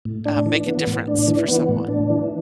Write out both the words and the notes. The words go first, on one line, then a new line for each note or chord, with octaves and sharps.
uh, make a difference for someone?
A2
D4
E3
B3
A2
D4
E3
B3
A2
D4
E3